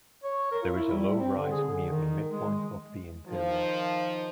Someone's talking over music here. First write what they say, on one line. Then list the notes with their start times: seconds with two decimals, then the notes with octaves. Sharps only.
There is a low rise near the midpoint of the interior.
0.24 C#5
0.51 A#4
0.63 F4
0.75 E4
0.91 G3
1.19 C4
1.36 D3
1.51 G#4
1.64 D3
1.86 D#3
2.31 G#3
2.49 G#3
3.26 D#3 F3